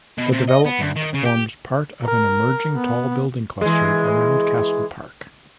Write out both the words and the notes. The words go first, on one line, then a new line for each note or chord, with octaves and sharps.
The development forms part of an emerging tall building cluster around Castle Park.
B2
C3
D#5
B3
D2
D#3
C#3
G4
A#4
B3
E3 G#3